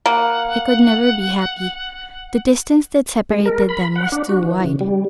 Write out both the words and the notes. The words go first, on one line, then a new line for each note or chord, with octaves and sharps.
He could never be happy; the distance that separated them was too wide!
A#3 F#5
G#3
A#4
B5
F#5
D4
F#4
E3
C#3
G3